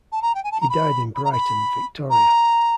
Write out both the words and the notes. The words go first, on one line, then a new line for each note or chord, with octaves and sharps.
He died in Brighton, Victoria.
A5
A#5
G5
G#5
A5
A#5
B5
B5
A#5
B5
A#5